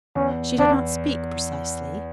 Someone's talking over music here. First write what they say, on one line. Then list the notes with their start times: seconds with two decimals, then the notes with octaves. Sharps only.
She did not speak, precisely.
0.15 E2 C#4
0.58 E2 D4